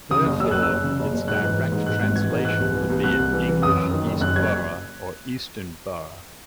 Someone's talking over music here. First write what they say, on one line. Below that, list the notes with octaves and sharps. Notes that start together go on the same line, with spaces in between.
Therefore, its direct translation would be in English East Borough or Eastern Borough.
C#3 D#6
F#1
F#1 E6
F#1 F#6
E6
F#1
C#3
F#1
F#1
G#2 F#6
E3
E3
G#2
G#2 F#6
G#1
E3 G#6
G#2
E3 F#6
C2
E3
C2
C2 F#6
C2
E3
E3
F#2 D#6
F#2
D#3
F#1
F#2 F#6
F#1 G#6